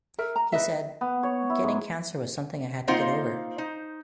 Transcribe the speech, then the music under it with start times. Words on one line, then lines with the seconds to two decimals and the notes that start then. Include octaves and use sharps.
He said: Getting cancer was something I had to get over.
0.18 A#4 E5
0.36 A#5
0.52 B4 D#5 E5
1.01 B3
1.23 C#5
1.50 E4
1.64 G#2
2.88 A#3 C4 D#4 F4 C5 F#5
3.58 D#4 C5